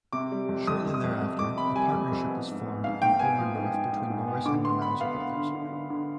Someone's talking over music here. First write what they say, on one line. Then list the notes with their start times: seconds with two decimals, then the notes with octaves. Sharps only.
Shortly thereafter, a partnership was formed in Oberndorf between Norris and the Mauser brothers.
0.12 C3 D6
0.32 G3
0.49 F2
0.67 F2 D#6
0.86 F2
0.94 D#6
1.04 F2
1.21 F2
1.39 F2 D6
1.57 C3 B5
1.76 G3 G#5
1.94 F2
2.12 F2
2.29 B3
2.48 G#2
2.65 B3
2.84 G#2 F5
3.02 G#2 G5
3.19 B3 G#5
3.39 F3
3.55 G#2
3.74 G#2
3.93 G#2
4.10 G#2
4.28 B3
4.46 D3 D6
4.65 B3 C6
4.82 B3 B5
5.01 B3 F5
5.19 B3
5.36 D3
5.55 D3
5.73 D3
5.90 D3